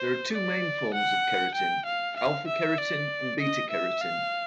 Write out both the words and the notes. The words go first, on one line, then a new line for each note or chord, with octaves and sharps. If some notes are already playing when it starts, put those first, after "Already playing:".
There are two main forms of keratin, alpha-keratin and beta-keratin.
Already playing: C5
D5
F#5
G5
F5
F5
E5
D5
D#5
E5
F5